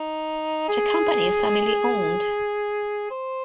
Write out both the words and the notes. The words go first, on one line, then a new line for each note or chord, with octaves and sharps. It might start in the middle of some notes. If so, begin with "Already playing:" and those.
The company is family-owned.
Already playing: D#4
G#4
C5